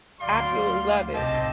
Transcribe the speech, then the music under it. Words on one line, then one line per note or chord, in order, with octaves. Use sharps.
Absolutely love it,
D2 F#3 G3 D5 F5 C6
B1 A2 C3 C4 G4 D#5 A5